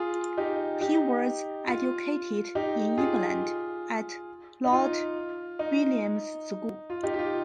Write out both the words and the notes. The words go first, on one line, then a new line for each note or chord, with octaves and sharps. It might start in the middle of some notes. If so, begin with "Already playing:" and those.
He was educated in England at Lord Williams's School.
Already playing: F4 G#4
D#4 G4
D#4 G4
F4
D#4 G4
F4 G#4
D#4
F4
D#4
F4
D#4 G4
G4
F4